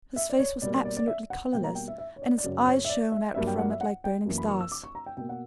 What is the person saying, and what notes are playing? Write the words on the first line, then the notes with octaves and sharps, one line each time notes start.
His face was absolutely colourless, and his eyes shone out from it like burning stars.
E5
D5
C#5
B2 G3 A#3 D5
D5
D5
D5
E5
F#5
B2 G3 A#3 G5
A#5
G5
E5
E5
C#5
D5
D5
F#2 C#3 F#3 C#5
C#5
E5
D5
E5
G2 F#3 A#3 E5
G5
F#5
E5
F#5
G5
F#2 E3 A#3
B5
C#6
E6
D6
C#6
A#5
G5
B2 A#3 G5
F#5